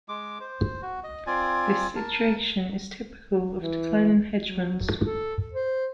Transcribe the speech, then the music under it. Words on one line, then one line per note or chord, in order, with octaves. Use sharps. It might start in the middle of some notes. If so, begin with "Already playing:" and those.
This situation is typical of declining hegemons.
G#3 D6
C5
F#4
D#5
C4 F4 D5 G#5
A#4 A5
E3
F#3
A4
C5